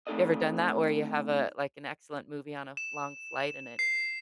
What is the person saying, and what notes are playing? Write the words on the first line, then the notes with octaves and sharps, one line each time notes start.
You ever done that where you have, uh, like, an excellent movie on a long flight, and it
A3 C4 D#4 A4 D5 D#5
E7
C7